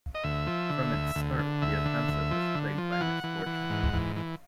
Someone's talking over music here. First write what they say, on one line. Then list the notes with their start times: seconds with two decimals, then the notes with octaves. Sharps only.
From its start the offensive was plagued by misfortune.
0.15 D#5
0.24 D2 E5
0.47 F3
0.70 D3
0.93 D2
1.16 D2
1.39 D3
1.62 D2 E5
1.85 D3
2.08 D2
2.31 F3
2.55 D3
2.78 F3
2.92 F5
3.01 E3 F#5
3.24 E3
3.46 E3
3.70 G#2
3.93 E3
4.16 E3